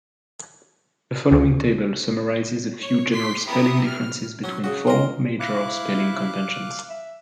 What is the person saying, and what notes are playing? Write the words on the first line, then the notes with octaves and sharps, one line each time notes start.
The following table summarizes a few general spelling differences between four major spelling conventions.
D2
C#5
C6 D6 B6 C7
B3 E4 G4 E5 A#5 D#6
F6
F#3 C#4
C#3 F#4
F4 A#4
E4 F5 D6 F#6
E5